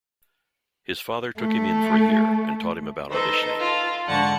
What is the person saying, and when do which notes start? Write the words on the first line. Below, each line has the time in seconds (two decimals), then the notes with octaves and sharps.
His father took him in for a year and taught him about auditioning.
1.40 A3
3.09 D#4 A4 B4 C5
3.59 F4 A4
4.06 G#2 D3 F#5 A5 C#6